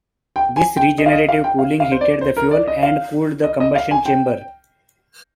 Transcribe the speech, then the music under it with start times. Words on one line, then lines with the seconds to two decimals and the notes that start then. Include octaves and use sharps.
This regenerative cooling heated the fuel and cooled the combustion chamber.
0.36 G5
0.56 G#5
0.77 G5
0.98 D#5
1.06 F5
1.13 D#5
1.28 F5
1.44 G5
1.59 F5
1.80 F5
1.92 C5
2.01 D5
2.21 C5
2.37 A#4
2.51 D5
2.67 D#5
2.83 F5
3.44 D#5
3.60 D#5
3.75 F5
3.91 G#5
4.06 G5